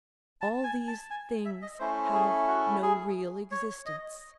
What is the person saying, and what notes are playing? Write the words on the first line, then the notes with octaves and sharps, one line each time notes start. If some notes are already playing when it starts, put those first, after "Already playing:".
All these things have no real existence.
A5
G#5
A5
G#5
E5
D#5
A3 C#4 E4 C5
G#4
F#4
G#4
C#5
D#5